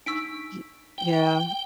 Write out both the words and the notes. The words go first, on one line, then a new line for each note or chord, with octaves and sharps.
Y yeah.
D4 D#4 C#6 E6 B6 D7
G5